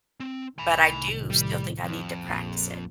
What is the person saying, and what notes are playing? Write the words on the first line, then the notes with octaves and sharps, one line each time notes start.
but I do still think I need to practice it.
C4
C2 A2 D#3 G#5 B5
G3
F2
A#1